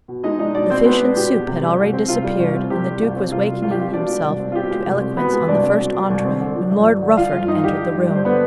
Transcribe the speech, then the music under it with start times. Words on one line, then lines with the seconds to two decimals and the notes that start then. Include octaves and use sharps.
The fish and soup had already disappeared and the Duke was wakening himself to eloquence on the first entree when Lord Rufford entered the room.
0.08 B2
0.23 G#3 D#4 D#5
0.39 D4 D#4 D#5
0.55 B2 D4 D5
0.70 B2 C4 C5
0.85 G#3 B3 B4
1.01 D4
1.17 B2 G4
1.32 B2
1.47 C3
1.63 G3
1.78 C2
1.93 C4
2.08 C3 F4
2.24 G3
2.39 C2
2.55 C4
2.70 C3 G4
2.86 G3
3.01 C2 F4
3.17 C4
3.32 C3 F4
3.47 G3
3.62 C2 F4
3.71 G4
3.79 C4 F4
3.93 B2 D4 D5
4.09 G#3
4.25 C2
4.40 C4
4.52 F4
4.55 B2 G4
4.71 G#3
4.86 C2
5.02 C4
5.17 B2 B3 B4
5.33 G#3
5.48 C2 D4 D5
5.63 C4
5.79 B2
5.94 G#3
6.10 C2
6.25 C4
6.40 D3
6.56 F3
6.71 G2
6.87 G2
7.02 D3
7.17 F3 F4 F5
7.32 G2 F4 F5
7.48 G2 D#4 D#5
7.64 D3 G4
7.79 F3
7.94 G2
8.10 G2
8.15 C5
8.25 D3 B3 B4